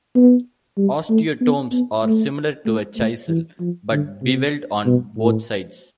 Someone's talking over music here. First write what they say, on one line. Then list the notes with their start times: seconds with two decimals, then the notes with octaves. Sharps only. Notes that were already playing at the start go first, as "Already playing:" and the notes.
Osteotomes are similar to a chisel but bevelled on both sides.
0.16 B3
0.77 G3
1.10 A3
1.41 B3
1.72 B3
2.04 A3
2.66 A3
2.97 A3
3.28 E3
3.60 F3
3.92 D3
4.23 C3
4.86 B2
5.16 A2